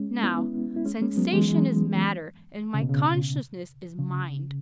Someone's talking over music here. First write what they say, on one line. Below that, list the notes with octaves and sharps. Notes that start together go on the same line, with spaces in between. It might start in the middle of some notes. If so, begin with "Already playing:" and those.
Now, sensation is matter and my consciousness is mind.
Already playing: G#3 C#4
B3 E4
E4
G#3 C#4
G#3 C#4
F#3 B3
E3 G#3
E3 G#3
C#3
B2
C#3
C#3